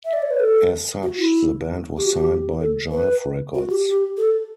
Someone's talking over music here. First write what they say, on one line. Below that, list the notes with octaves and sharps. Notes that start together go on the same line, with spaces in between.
As such, the band was signed by Jive Records.
E5
D5
C#5
B4
A4
F#4
E4
G4
F#4
G4
A4
B4
F#4
G4
G4
A4